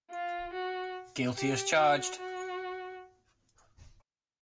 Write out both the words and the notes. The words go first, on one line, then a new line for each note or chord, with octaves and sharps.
Guilty as charged.
F4
F#4
G4
F#4
F#4